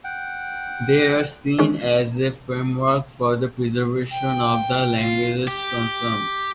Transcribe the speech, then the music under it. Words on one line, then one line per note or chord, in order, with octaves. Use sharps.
They are seen as a framework for the preservation of the languages concerned.
F#5 G5
D#3 E3 G#3 C#4
G5
F4
G4